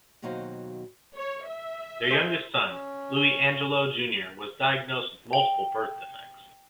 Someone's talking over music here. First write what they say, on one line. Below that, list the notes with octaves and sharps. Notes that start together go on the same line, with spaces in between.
Their youngest son, Louie Angelo Junior was diagnosed with multiple birth defects.
D#2 B2 F#3 D#4 C5 F5
C#5
E5
G#4 C5
C#4
G5